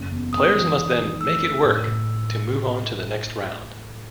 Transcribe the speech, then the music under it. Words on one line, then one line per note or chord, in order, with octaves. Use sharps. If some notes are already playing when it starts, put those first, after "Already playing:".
Players must then "make it work" to move on to the next round.
Already playing: F#1
E2
G#1 D#6
E3
F#2
D#3
A3 E6
A3
A2
A2